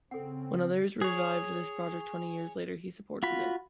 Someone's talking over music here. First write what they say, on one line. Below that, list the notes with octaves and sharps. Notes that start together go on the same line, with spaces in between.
When others revived this project twenty years later he supported it.
C#3 C4 A4 F#5
G#4 C#5
F4 F#4 B5